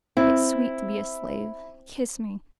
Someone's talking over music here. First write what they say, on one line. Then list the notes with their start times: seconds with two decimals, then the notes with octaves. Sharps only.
It's sweet to be a slave. Kiss me!
0.17 C4 E4